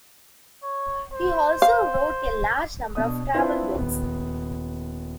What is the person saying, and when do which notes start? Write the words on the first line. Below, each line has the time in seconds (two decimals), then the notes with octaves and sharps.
He also wrote a large number of travel books.
0.63 C#5
1.14 C5
1.62 F5
2.95 B2 D4 D#6
3.34 C4 D4 E4 F4 B4 C5
3.75 D#1 B3